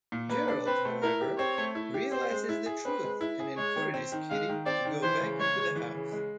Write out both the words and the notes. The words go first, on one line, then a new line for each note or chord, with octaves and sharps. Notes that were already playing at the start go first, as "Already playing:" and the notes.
Gerald, however, realises the truth and encourages Kitty to go back into the house.
A#2
A#3 B4
D4
C4 B4
A3
E4 A#4
G4
C4 C#5
A3
E4
G4
C4 C5
G#3
E4
G#4
C4 B4
G#3
E4
G#4
G#3 C#5
D#3
C4
D#3
G#3 F5
D#3
C4 D5
D#3
E3 C5
C#3
G#3 C#5
C#3
E3
C#3
G#3